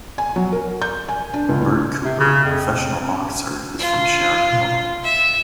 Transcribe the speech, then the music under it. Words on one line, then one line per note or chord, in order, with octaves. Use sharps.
Bert Cooper, professional boxer, is from Sharon Hill.
G#5
F#3
A#4
G6
G#5
D4
C#2
A2
C3
C#3
F2
F4
E5